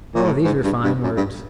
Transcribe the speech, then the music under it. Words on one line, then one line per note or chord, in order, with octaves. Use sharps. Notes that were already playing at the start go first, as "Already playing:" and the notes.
"Oh, these are fine words."
A#2
A2
G#2
G2
G2
F#2
G2